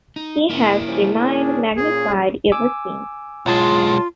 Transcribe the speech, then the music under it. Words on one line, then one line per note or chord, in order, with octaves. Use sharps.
He has remained magnified ever since.
D#4
A#3 E4
F3 G3 C#4
C#4 D4 G#4
A#2 C#4 G#4
G#5 D6 E6
B1 G#3 F4 C#5 A5 C6